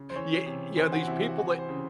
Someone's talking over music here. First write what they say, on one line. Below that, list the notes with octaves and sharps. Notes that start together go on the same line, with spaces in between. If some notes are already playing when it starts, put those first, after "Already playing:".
Ye yeah, these people that
Already playing: C#3
C5
E3 C#5
C3
E3 C5
F#4
C3 E4
F#4
E3 F#4
C5
C#3